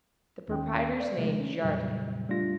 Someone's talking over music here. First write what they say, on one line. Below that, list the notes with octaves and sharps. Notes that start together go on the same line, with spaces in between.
The proprietor's name is Yardley.
D#2 D#3 C#4 G5
D5
C3 F3 G#3 A3
C#4
F2 A#2 C#3 F#3 G3
G3 A3 D4 F4 A#6